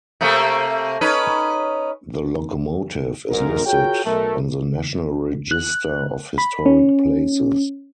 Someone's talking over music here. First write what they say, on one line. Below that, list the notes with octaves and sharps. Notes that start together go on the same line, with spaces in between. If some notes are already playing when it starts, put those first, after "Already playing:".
The locomotive is listed on the National Register of Historic Places.
C3 A3 A#3
C#4 D#4 B4
B1 G#2 A#4
F4 F#4 G#4 A#4 C#5 G5
B1 A3 A#4
F#6
B5
C#4